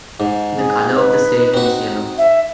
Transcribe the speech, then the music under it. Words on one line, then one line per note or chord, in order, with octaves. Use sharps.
The color of the station is yellow.
G#2
G#4
D#4 B4
C4 F#4
E5